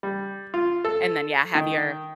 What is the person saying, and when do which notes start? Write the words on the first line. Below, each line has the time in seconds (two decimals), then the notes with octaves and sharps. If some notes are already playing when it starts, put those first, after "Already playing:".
and then, yeah, have your
0.03 G3
0.54 F4
0.85 A4
1.55 D#3